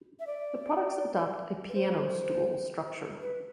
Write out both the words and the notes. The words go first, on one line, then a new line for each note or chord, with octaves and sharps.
The products adopt a "piano-stool" structure.
E5
D5
B4
C5
B4